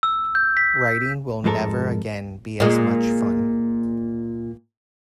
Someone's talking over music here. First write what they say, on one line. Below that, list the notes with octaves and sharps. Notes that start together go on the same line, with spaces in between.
Writing will never again be as much fun.
E6
G6
B6
F2 G#2 G#3 A4 A#4
A#2 G#3